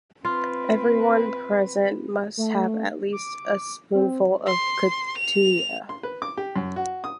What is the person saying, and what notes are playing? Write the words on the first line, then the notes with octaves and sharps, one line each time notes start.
Everyone present must have at least a spoonful of kutia.
C4 F4 B4
A3
D6
C4
C6
F7
C6
B4
D6
G4
F#2
F#4
D#6